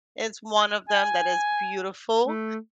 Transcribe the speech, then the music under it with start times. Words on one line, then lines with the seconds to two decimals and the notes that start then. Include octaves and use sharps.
is one of them that is beautiful,
0.89 G#5
2.26 A3